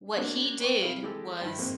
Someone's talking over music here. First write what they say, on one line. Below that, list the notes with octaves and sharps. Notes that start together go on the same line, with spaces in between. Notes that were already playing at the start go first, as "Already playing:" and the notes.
what he did was
A#3 B3 D4 F#4 C#5
B4 C#5 G5 C#6 D6
C3 E4 F5
E3 G#3 G4 A4
G2 D#3 E4
F2 G#2 G#3 A#3